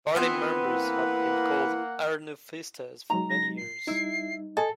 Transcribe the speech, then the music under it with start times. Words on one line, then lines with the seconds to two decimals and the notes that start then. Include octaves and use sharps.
Party members had been called "Arnulfistas" for many years.
0.15 E3 B3 C4 F4 B4
0.65 A#3 E4 F#5
3.10 F#3 G#3 D#4 A#5
3.30 A#6
3.57 C7
3.87 G3 D#4 E4
4.57 A4 D#5 G#5